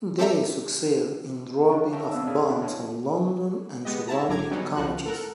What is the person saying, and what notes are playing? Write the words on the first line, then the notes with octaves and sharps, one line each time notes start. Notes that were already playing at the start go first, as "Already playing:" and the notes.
They succeeded in dropping of bombs on London and surrounding counties.
C4 G4 A4 E5 A#5
C#3 D4
E5 G5 A5 A#5 C#6
F2 B2 B3 D4 E6
E2 A#2 C#4 G#4 E6
D4 E4
D#2 A2 C#4
G#3 B3 G4 D#5
E4 E5 A5 A#5
G#1 F#3 A#5 D6 G#6
F#3 G3 B3 C#4 D#4
C2 D#3 F3 F#4 F#6
A4 A#4 F#5